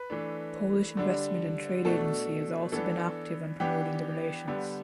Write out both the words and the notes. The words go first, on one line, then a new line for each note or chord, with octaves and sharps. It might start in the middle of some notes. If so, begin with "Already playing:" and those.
Polish Investment and Trade Agency has also been active on promoting the relations.
Already playing: B4
E3 A3 D4
D3 G3 D4
B2 A3 D4 A4
E3 B3 D4 A4
E3 B3 D4 G4
D3 G3 B3